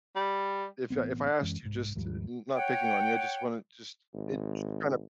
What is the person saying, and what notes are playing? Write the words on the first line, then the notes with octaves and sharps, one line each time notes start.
if I if I asked you just n not picking on you, I just want to just it j kinda
G3
A1 F3 B3 C4
F#2 E3 G#3 C#4
C2 G#2
D#2 G#2 F3 G3
C#5 F#5 G5
G#1